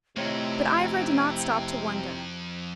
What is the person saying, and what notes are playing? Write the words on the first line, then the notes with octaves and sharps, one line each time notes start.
But Ivra did not stop to wonder.
F2 C3 A3 E4 C#5 D#5 G5 A#5